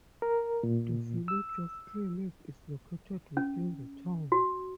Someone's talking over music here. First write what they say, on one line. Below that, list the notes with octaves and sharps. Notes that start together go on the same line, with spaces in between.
The Village of Clear Lake is located within the town.
A#4
A#2
E6
C#4
F#4